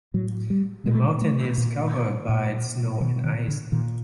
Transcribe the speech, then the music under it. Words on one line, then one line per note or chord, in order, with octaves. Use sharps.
The mountain is covered by snow and ice.
A2 F#3
G3
A#2 G#3
A3
G#3
A3
A#2
A#2
B2 D#3
D#3
D3
A#2 D#3